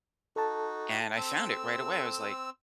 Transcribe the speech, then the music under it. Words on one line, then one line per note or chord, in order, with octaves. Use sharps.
and I found it right away. I was like,
D#4 F#4 A4 A5
C4 E6